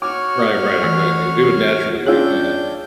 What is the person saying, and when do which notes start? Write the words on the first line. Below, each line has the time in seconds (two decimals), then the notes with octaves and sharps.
Right, right, exactly. Do it naturally if you can.
0.02 F#4 C#5 D6 F6
0.81 E3 A3
2.06 C#4 D4 F4 G#4 C#5 G5 E6 G6